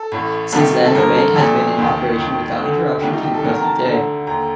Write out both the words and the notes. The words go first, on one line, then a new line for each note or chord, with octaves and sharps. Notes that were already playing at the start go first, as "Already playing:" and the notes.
Since then the bank has been in operation without interruption to the present day.
Already playing: A4
A1 A2
C2 C3 D#3 A4
A4
A1 G2 D3 A#4
A4
A#1 A#2 A4
D#2 D#3
D#2 D#3
D2 D3
C2 C3 D#3 G4
D#4
G4
A4
D2 C3 D#3 A#4
A#5
A5
D2 D3 A#5
D#2 D3 A#5